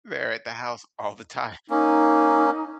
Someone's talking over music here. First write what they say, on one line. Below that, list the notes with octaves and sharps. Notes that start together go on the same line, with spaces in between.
there at the house all the time.
A#3 C#4 D#4